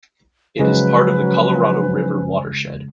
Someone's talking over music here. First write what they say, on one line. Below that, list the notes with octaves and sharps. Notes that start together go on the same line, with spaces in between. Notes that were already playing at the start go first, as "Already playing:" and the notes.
It is part of the Colorado River watershed.
C#3 F3 F#3 G#3 C#4 B4